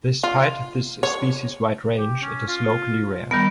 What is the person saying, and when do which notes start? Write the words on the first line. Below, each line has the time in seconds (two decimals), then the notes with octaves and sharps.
Despite this species' wide range, it is locally rare.
0.23 F4
1.03 C#5
1.98 G4
2.22 C#4
2.48 F4
3.31 D#3 G3 B3 A#4